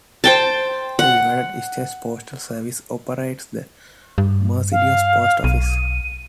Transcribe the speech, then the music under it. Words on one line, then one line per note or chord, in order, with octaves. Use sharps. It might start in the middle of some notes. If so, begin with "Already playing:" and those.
The United States Postal Service operates the Mercedes Post Office.
C5 G5 A5
F#5
G2
F5
B1 D#7